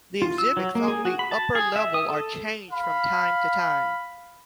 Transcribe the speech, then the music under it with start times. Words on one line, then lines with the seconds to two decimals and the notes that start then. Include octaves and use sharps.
The exhibits on the upper level are changed from time to time.
0.22 F4
0.38 E6
0.57 F#3
0.75 A#3
0.88 G#4
1.05 F#4
1.19 B5
1.31 A5
1.55 G#4
1.76 E5
1.94 D#6
2.09 A4
2.71 F5 B5